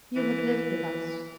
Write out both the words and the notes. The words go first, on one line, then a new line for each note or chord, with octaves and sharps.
You have lived with us.
E3